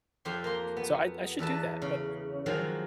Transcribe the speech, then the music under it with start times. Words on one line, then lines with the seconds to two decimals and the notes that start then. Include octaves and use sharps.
So I I should do that, but
0.25 F2 G4 C6
0.44 A#3 C6
0.77 B3
1.39 E2 A4 B4 A5
1.82 C#3
2.46 D#3 F3 F#3 G#3